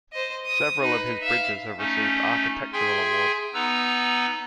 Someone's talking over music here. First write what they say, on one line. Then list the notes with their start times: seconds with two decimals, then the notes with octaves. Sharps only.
Several of his bridges have received architectural awards.
0.13 C5 D#5
0.45 D#6
0.82 D#4 B4
1.22 E5 F5
1.78 A3 C#4 D#4
2.73 G#4 E5 G5 G#5 C6 G#6
3.54 B3 D#4 B4 A#5 E6